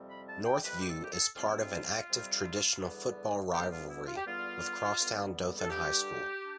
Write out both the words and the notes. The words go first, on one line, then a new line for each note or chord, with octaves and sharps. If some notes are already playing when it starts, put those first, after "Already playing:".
Northview is part of an active traditional football rivalry with crosstown Dothan High School.
Already playing: F2 C3 G3 C4
B5
A5
G5
F2 C3 G3 C4 B4
G4
A4
G4
A4
F2 C3 G3 C4 F4
E4
F4
F2 C3 G3 C4
E2 D3 G3 B3
E2 D3 G3 B3 G4
F4
E4
F4
G4
E2 D3 G3 B3 F4
E2 D3 G3 B3
A4
G2 D3 G3 D4 G4
D4